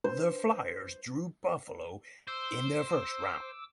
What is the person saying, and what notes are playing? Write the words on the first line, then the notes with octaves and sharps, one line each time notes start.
The Flyers drew Buffalo in the first round.
C5
C5 D6 E6